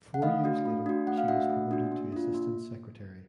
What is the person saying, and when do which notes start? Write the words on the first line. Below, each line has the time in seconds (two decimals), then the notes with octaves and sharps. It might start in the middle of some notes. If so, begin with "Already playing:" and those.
Four years later she was promoted to assistant secretary.
0.14 F#5
0.22 A3 D#5 F5
0.44 D4 F#4
0.65 A3
0.86 D4 F#4
1.07 A3 F#5
1.18 F5
1.28 D4 F#4 E5 F#5
1.50 A3
1.71 D4 F#4
1.92 A#3
2.12 D4 F4
2.34 A#3